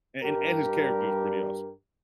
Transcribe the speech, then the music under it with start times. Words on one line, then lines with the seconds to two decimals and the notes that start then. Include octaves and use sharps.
a and and his character is pretty awesome.
0.23 G2 G3 G4 A#4